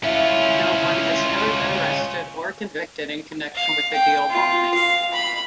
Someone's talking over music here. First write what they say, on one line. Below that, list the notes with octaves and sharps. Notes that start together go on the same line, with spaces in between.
No one has ever been arrested or convicted in connection with the Deal bombing.
C#4 E4 F4
F5
G5
F4
F5
B5